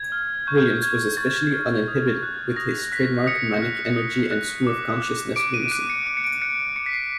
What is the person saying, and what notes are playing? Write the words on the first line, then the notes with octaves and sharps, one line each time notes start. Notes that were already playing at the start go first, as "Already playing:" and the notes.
Williams was especially uninhibited with his trademark manic energy and stream-of-consciousness lunacy.
Already playing: G#6
F6
C#6 G6
G#6
G6
F6 G#6
C#6 A6
F6
D#6
F#6
D#6 A#6
F#6 B6
D#6 C#7
F#6
D#6
F#6
D6
F#6
D6 D7
D#7
F#6 D7
C#7
D6 D7
C#7
D7
F#6 C#7
D6 C#7
B6
C7